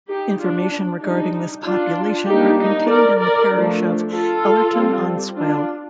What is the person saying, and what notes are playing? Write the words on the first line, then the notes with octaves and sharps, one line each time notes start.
Information regarding this population are contained in the parish of Ellerton-on-Swale.
D#4 G4
D4 F4
D4
G3 D4 D#4
D4 F4
G3 A#3 D4 D#4 G4
D#4
A#4 D5
A#4 D5
F3 A3 D4
F4 A4
G3 C4
D4 F4